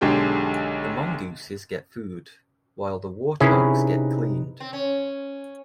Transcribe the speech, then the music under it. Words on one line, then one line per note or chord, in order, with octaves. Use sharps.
The mongooses get food, while the warthogs get cleaned.
B1 D3 G#3 G4 G5
C3 C#4 D#4 E4 G#4 B4
C4
C#4